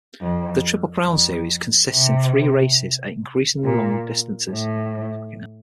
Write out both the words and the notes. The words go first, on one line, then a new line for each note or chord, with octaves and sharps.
The Triple Crown series consists in three races at increasingly longer distances.
F2
F2
C3
A#2
A2